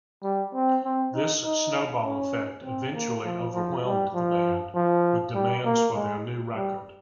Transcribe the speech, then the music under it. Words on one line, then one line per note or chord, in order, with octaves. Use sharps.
This snowball effect eventually overwhelmed the band with demands for their new record.
G3
C4
C4
D#4
D#4
C#4
C4
A#3
F3
F3
G3
F3
F3
G3
A#3
G#3
G3